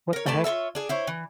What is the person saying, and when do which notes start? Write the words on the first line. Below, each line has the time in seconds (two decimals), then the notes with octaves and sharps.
What the heck?
0.13 A#4 C#5
0.26 A3 B4 D5 A5
0.44 F4 A4 C#5 E5
0.75 D4 G#4
0.89 E4 C5 C#5
1.07 E3